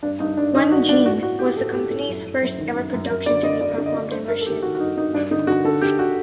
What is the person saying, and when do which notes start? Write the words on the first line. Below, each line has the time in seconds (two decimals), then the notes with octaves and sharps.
"Onegin" was the company's first ever production to be performed in Russian.
0.03 G2 D4
0.20 G2 D#4
0.37 G2 D4
0.54 D#3 D#4
0.71 G2 F#4
0.88 G2 D4
1.06 A2 F#4
1.22 A2 F#4
1.39 A2 G4
1.57 A2 A4
1.73 A2 G4
1.90 A2 A4
2.08 F#2
2.24 F#2
2.42 F#2
2.58 D#3
2.75 F#2
2.92 F#2
3.10 F#2 A#4
3.26 D3 D5
3.43 D3 D#5
3.61 D3 D5
3.78 D3
3.86 D#5
3.94 D3
4.11 G2 C5
4.28 G2 A#4
4.41 A4
4.46 D#3 G4
4.63 D#3 F#4
4.75 F#4
4.79 G2 D#4
4.97 G2 D#4
5.13 G2 D4
5.31 D3 D#4
5.47 D3 F#4
5.65 D3 A4
5.81 D3 G4
5.99 F#4